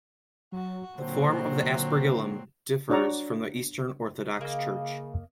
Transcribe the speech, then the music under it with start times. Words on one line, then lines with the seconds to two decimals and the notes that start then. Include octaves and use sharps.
The form of the aspergillum differs in the Eastern Orthodox Church.
0.52 F#3 F#4
0.98 A#2 D3 F#3 C4 C5
2.90 D4 F#4 C#5 D5 A#5
4.37 C#3 A#3 D#5